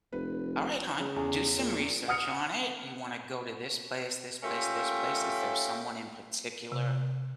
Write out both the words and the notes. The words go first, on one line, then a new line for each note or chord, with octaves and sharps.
all right, hon, do some research on it. You wanna go to this place, this place, this place, is there someone in particular
F1 B4
C#3
E2 G#4
A#2
F#5 D#6 F6 C#7
A3 C#4 F4 G4 A#4 E5
C3